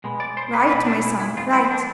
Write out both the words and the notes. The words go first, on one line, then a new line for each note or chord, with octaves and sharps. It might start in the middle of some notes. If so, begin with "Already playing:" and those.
'Right, my son, right.
B2 G#3 B3
D5
C5
B4
B2 G#3 B3 B4
D4
E4
E4
F2 E3 G#3 C4 F4
E4
D4